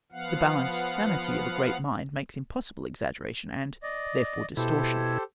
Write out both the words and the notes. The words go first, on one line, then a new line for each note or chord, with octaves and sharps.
The balanced sanity of a great mind makes impossible exaggeration, and, therefore, distortion.
F3 B3 F5 F#5
D5 D#5
B2 E4 G4 A4 C5